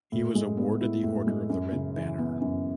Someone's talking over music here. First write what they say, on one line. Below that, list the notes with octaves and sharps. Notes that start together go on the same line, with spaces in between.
He was awarded the Order of the Red Banner.
A2
G#3
B3
E4
A2
G#3
F#2
C#3
E3
B3
F#2